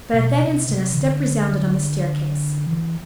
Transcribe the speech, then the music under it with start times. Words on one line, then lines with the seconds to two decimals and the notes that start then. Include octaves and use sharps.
But at that instant a step resounded on the staircase.
0.14 B2
0.41 C3
0.69 C3
0.94 E3
0.98 D3
2.67 E3